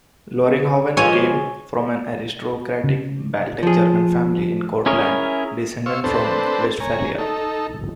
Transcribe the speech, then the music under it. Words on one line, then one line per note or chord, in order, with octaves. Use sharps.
Loringhoven came from an aristocratic Baltic German family in Courland descended from Westphalia.
E3 F3 G#3 C#5 G#5
C#3
F3 G#4
C#4 E4 G#4 A#4 C#5
C5 F5 C#6 E6
C4 D4 A4 B4 C5
C#5 G#5 A#5
D#4 A4